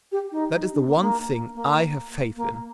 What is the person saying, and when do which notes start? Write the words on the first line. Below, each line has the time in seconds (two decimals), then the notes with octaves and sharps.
That is the one thing I have faith in!
0.12 G4
0.32 D#4
0.73 D4
0.87 A#3
1.00 A#3
1.55 A#3
2.36 A#3